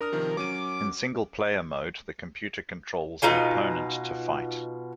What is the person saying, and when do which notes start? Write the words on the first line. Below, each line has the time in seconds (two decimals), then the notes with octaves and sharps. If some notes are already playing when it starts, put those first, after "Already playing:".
In single-player mode, the computer controls an opponent to fight.
0.01 D4 A#4 D#6 F6
0.12 C3 D#3 F3
0.37 F#3 C#4 D6 D#7
3.22 B2 D#4 F4 G#5